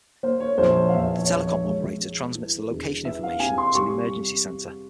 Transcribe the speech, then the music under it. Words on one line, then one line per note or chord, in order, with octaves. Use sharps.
The telecom operator transmits the location information to the emergency centre.
A#3 C5
C#5
A#1 C5
C#5
F5
E2 E5
C#5
E1
C#5
G#3 C#5
G#3
E3
E1
E3 E5
F5
C3 G#5
C6
G3 C#6